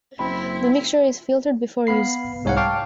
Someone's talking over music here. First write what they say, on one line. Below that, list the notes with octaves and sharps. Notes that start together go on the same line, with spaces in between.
The mixture is filtered before use.
F#1 C4 E4 B5
B3 F5 B5 C7
C2 G#2 C#5 F5 F#5
F5 G5 A5 C#6 D6 F6